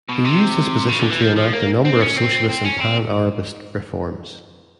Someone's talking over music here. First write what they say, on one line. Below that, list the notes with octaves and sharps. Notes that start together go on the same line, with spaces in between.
He used his position to enact a number of socialist and Pan-Arabist reforms.
B2
C3
C#3
D3
E3
F3
F3
A#3
C4
C#4
C4
C4
C#4
C4